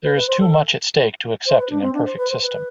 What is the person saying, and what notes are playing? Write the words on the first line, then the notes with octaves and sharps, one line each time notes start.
There is too much at stake to accept an imperfect system.
B4
B4
C5
A4
C5
B4
D4
C4
D4
C5
B4
C5
B4